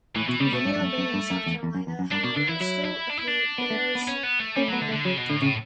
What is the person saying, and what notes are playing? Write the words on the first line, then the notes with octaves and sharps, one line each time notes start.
Winyah Bay in South Carolina, however, still bears their name.
A2 E3
B2 E3
C#3 G3
B2 A3
G2
G2
F#2
F#2
G2
F#2
E2
E2
F#2
E2
F#2
G2 D4
B2 D4
D3 D4
E3 E4
F#3 E4
E4
D4
E4
D4
B3
A3
B3
C#4
B3
A3
G3 C#4
F#3 B3
D3
A3
D3
C#3 F#3
B2
A2 D3
A2 C#3